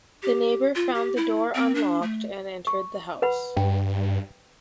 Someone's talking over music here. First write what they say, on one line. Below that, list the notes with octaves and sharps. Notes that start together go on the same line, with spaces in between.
The neighbor found the door unlocked and entered the house.
G4
F4
G4
E4
C4
D4
A3
C#6
B4 F#5 B5
G2 G5